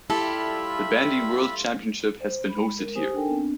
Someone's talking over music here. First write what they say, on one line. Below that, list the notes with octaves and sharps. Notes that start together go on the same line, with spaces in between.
The Bandy World Championship has been hosted here.
G3 A3 E4 F4 G4 A4 E5 B5
C5
G#3 B5
G#3 A#4
G4 C5 G#5 D#6
D4 D#4 A4 A#4 G5 G#5
B3 C4 D4